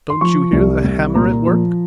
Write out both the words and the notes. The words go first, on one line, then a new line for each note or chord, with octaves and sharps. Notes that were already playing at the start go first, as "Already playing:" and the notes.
Don't you hear the hammer at work?
C6
F3 C#6
C2
C2
A#2 A#5
F3